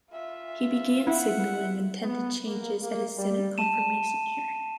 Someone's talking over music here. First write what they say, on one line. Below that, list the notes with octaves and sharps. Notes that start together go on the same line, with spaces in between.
He began signaling intended changes at his Senate confirmation hearing.
F4 E5
E4 F#5
B3
A#3
A#3
G3
A5 D#7 E7